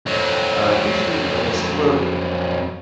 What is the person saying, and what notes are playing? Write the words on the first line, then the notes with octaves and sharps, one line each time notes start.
Uh, usually, like I sai well,
F2 F#3